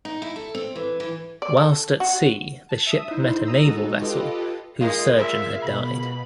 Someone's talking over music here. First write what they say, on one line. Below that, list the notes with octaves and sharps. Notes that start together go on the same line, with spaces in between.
Whilst at sea the ship met a naval vessel whose surgeon had died.
D#4
E4
A4
C4
E3
E3
D5
A4
F#4
A5
E5 D#6
D#4 E4 C5
A#5 D#6 E6
G#3 D#4 F#4 A4
F4 G4 A4 B4 D#5
G#3 A#3 F4 D#5
E5 F5
B2 B5